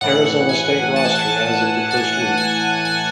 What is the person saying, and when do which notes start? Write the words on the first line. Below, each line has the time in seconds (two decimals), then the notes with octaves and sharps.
Arizona State roster as of the first week.
0.01 A2 E3 F#5
0.49 G#5
0.96 A5
1.05 G#5
1.15 A5
1.91 G#5
2.37 G#5
2.85 G#5